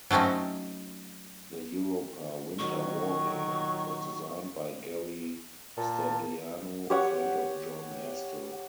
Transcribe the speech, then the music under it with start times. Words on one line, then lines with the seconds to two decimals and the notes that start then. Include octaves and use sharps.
The Europa Winter War Game was designed by Gary Stagliano, friend of John Astell.
0.11 F#3 A3 C4 C#4 D#4
2.59 A#2 D#3 F#3 C#6
5.77 A#2 A5
6.90 G4 C#5 F#5